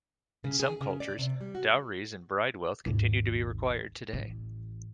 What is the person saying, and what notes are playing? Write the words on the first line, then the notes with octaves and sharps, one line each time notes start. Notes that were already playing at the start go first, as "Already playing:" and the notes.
In some cultures, dowries and bridewealth continue to be required today.
C#3
G#4
C#3
D5
C3
G3
F#4
G#1 D#2
A1